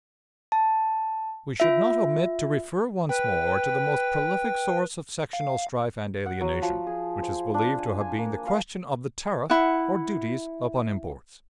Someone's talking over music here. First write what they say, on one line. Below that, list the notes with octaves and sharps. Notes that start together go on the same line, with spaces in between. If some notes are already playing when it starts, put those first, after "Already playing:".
We should not omit to refer once more to the most prolific source of sectional strife and alienation, which is believed to have been the question of the tariff, or duties upon imports.
A5
F4 E5
B4 G5
F5
F#5
F#3
F3
G#4
C5
D4
G#5
G#5
A#3
F5
E4 F#5